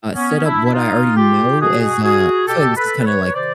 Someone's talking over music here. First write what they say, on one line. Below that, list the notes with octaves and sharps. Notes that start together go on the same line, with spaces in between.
uh, set up what I already know as, uh I feel like this is kinda, like,
B3 C#4
D4 E4
E4
A#2 D#4 F4
F4 G4
B2 F#4 G#4
F#4 G#4
B2 G4 A4
A4 B4
B4 C#5
C3 D#3 C5 D5